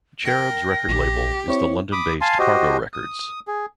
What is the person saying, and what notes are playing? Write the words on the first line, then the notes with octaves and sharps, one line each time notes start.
Cherubs' record label is the London-based Cargo Records.
A#4 G5 A#6
A#1 G4
C4 E4 C#5 C#6
B5 D6 D#6
F5 G#5 A5 C6
F#4 G4 C5 D#5
D#6
G#4